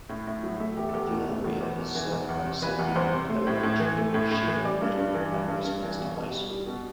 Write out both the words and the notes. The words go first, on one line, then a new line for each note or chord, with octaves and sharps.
The area is served by Sandymount Elementary, Shiloh Middle, and Westminster High School.
A2
A2
F#3
A3 E5
E2 G4
A4
E2 G4
B2
A3
E2
E2
B2
E3
E2
E2
C3
E3 B4
E2
E2 C5
C3
A3
A2
A2
E3
A3
A2
A2
E3
G3 D5
G2
G2
E3
G3
G2
G2
E3
B2
B2
G3
G3
B2